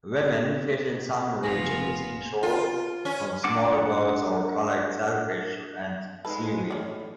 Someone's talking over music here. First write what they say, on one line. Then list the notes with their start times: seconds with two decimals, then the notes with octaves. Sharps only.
Women fish in some regions inshore from small boats or collect shellfish and seaweed.
1.43 F1 C#3 B3 F4 G#5 A#6
2.43 F4
3.05 C#4
3.44 D4 F#5 D6
6.25 F2 G#3 D#4 A4 B4 B5
6.71 A2 C#4 D5